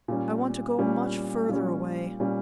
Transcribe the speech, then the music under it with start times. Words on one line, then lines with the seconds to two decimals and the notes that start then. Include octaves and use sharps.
I want to go much further away.
0.08 A#2 G3 C#4
0.78 A#2 G3 C#4
1.49 A#2 G3 C#4
2.20 A#2 G3 C#4